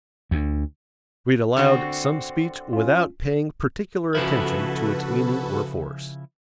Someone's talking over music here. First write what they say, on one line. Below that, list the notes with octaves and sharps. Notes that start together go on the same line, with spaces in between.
Read aloud some speech without paying particular attention to its meaning or force.
D2
D3 C4 F#4
C#4 F4
C#3 F3 E4 F#4 A4 B4